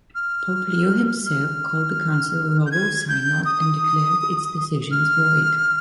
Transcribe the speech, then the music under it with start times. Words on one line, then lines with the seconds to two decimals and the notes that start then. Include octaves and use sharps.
Pope Leo himself called the council a "robber synod" and declared its decisions void.
0.15 F6
1.25 F6
2.66 G6
2.71 G#6
3.08 G6
3.45 D#6
4.91 F6